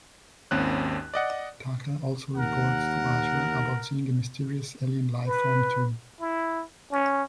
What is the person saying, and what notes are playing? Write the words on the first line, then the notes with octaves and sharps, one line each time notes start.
Tucker also reports to Archer about seeing a mysterious alien life form too.
G#1 D#2 C4 C#4 F#6
D5 D#5 F#5
D#2 A#4 F#5
B4
E4
C#4